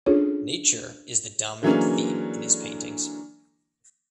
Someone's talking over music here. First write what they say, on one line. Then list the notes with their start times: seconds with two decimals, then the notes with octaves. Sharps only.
Nature is the dominant theme in his paintings.
0.06 C#4 D4 F4 G#4 A4 C#5
1.63 D3 E3 F#3 G#3 A#3 C#4